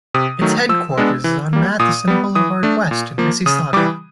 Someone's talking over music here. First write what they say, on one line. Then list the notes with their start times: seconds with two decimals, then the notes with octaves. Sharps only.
Its headquarters is on Matheson Boulevard West in Mississauga.
0.14 C3 D#6
0.41 D#3 F#3 A3
0.69 F3 E6
0.97 G#3 B3 D4
1.24 E3
1.53 G3 A#3
1.79 A#2 D#6
2.08 G3 B3
2.35 E3 D#6
2.63 A3 D4
2.91 A#2
3.18 F3 A#3
3.46 C#3 D#6
3.73 E3 G3 D6